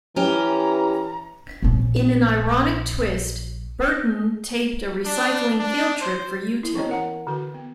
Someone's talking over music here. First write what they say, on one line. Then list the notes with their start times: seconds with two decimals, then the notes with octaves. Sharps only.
In an ironic twist, Burton taped a recycling field trip for YouTube.
0.16 E3 C#4 G4 A#5
1.62 A#1 C#4
5.05 D4
5.59 D4
6.01 C5
6.63 E4
6.75 E3 B3 C#4 C#5 D#5 A#5
6.89 A#4 F#5 A#5
7.27 D3 F#4 B4
7.54 B3